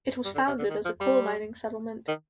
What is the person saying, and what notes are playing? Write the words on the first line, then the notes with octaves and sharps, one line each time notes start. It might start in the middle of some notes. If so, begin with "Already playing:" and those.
It was founded as a coal mining settlement.
G3
D3
C3
D3
D#3
F3
G3
D#3